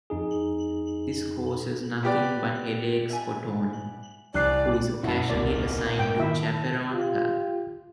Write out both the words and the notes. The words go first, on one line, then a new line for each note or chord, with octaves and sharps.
This causes nothing but headaches for Toni, who is occasionally assigned to chaperone her.
F2 D#4 G#4
B3 G4 D5
E5 G#5
C2 D5 F#6 C7
F#2 B2 C#4 E4 F#4 A5
D#1 C2 A2 G3 A#4 D5
A#3 B3 D#4
G#2 G5
D#3 E4 E5
A5
F4 G4